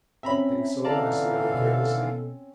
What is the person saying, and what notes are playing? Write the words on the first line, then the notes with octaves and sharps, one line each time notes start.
"Think so?" asked the other carelessly.
C4 C#4 E5 A#5 B5
D3 E3 A4 D5 F5 A5 A#5
B2